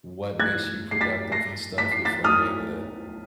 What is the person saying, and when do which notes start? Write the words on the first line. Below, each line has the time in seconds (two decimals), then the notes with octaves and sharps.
what makes you productive and stuff before you're able to,
0.39 F#6 G#6
0.91 C7
1.01 A6 B6
1.32 A#6 C7
1.78 B6
1.92 C7
2.05 A6 B6
2.24 D#6 F6